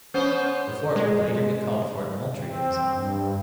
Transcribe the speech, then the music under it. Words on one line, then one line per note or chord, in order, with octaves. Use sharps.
The fort would later be called Fort Moultrie in his honor.
B3 C#4 C5
G#3
C4
G2